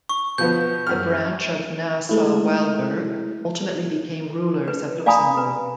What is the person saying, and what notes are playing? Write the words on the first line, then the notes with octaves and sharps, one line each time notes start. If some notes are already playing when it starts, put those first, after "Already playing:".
The branch of Nassau-Weilburg ultimately became rulers of Luxembourg.
C#6
B2 F3 B3 G6
F#2 F6
G#3 A3 E4
B4
D5 F5 G#5 A#5 B5 D#6
B4